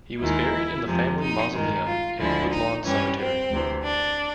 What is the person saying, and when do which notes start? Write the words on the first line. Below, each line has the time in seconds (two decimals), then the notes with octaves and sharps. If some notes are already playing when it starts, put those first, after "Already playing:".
He was buried in the family mausoleum in Woodlawn Cemetery.
0.21 D#2 D#3 G#3 E4
0.87 F2 C3 F3 G#3
1.20 D#4
1.54 G2 D#3 G#3
1.86 F4
2.19 D2 D3 F3 G#3 E4
2.52 D#4
2.85 G2 E3 G3 C#4
3.19 C4
3.51 D2 C3 E3
3.84 D4